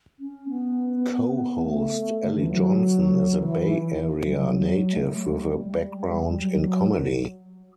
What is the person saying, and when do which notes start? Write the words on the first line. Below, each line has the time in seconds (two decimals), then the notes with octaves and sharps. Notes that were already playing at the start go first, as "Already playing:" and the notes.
Co-host Ally Johnson is a Bay Area native with a background in comedy.
0.19 C#4
0.48 B3
1.64 A3
2.25 D3
2.37 E3
2.50 F#3
3.37 E3
4.23 F#3
4.30 G3
4.38 F#3
4.93 A3
5.01 G3
5.10 F#3
5.30 A3
5.38 G3
5.68 G3
5.96 G3
6.17 G3
6.39 F#3
6.61 F#3